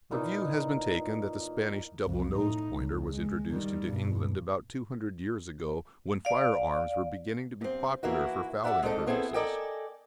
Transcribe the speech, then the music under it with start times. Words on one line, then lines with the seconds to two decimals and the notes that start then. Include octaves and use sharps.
A view has been taken that the Spanish double-nosed Pointer was introduced into England about two hundred years ago, when fire-arms were beginning to be popular for fowling purposes.
0.11 A#2 E3 D#4
2.05 C2 F2
2.36 A2 D#4
2.75 C#2
3.08 G#3
3.50 D#3 G3
3.85 G2 B2
6.25 D5 F5
7.61 G2 C4
8.03 E3 A#3 E4 F#4
8.64 F#4 A#4 D5 E5 F#5
8.83 G#3 C4 D4 D#4 A4
9.07 B3 C4 E4 G#4 A4
9.34 A4 A#4 D5 D#5 G5 G#5